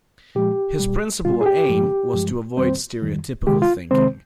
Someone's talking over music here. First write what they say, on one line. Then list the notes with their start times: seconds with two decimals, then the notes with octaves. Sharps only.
His principal aim was to avoid stereotypical thinking.
0.35 A#2 F3 G#3 G4
0.80 A#2 G3
1.25 A#2 G3 F4
1.41 G#4
1.46 G4
1.68 G2 F3 G#3
2.14 G2 F3 G#3
2.57 F2 D#3 G3 C4 C5
3.02 F2 D#3 G3
3.47 C3 D#3 G#3 G4
3.62 F4
3.91 C3 D#3 G#3 C4 C5